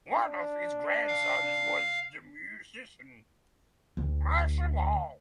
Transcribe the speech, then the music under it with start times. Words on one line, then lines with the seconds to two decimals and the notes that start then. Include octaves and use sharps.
One of his grandsons was the musician Marshall Hall.
0.18 D4
1.07 F5
3.97 D2